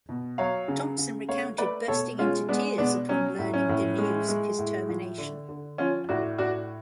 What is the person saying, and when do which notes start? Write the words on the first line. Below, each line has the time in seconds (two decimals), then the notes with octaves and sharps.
Thompson recounted bursting into tears upon learning the news of his termination.
0.09 B2
0.38 F#3 C#5 F5
0.68 C#3
0.98 C#3
1.28 A3 C#5 F5
1.58 A3 B4 D5
1.88 B2 A4 C#5
2.18 G#3 C#4 F4
2.49 G#3 B3 D4
2.78 B2 B3 D4
3.09 F#3 C#4
3.39 A2
3.54 C#4
3.69 A2
3.98 G#3
4.29 G#3
4.58 A2
4.89 F3
5.18 D3
5.49 D3
5.78 F3 C#4 F4
6.09 A2 D4 F#4
6.38 A2 D4 F#4